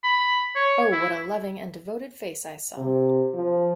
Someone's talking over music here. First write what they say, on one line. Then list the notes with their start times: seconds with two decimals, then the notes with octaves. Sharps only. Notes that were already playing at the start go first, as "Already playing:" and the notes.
Oh, what a loving and devoted face I saw!
0.04 B5
0.56 C#5
0.92 E4
2.77 C3
3.34 F3